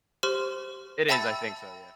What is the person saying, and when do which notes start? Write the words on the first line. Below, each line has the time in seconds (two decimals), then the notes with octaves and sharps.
It is, I think so, yeah.
0.23 G4 C5 C6 F6
1.09 E5 G5 A5 B5 E6 A6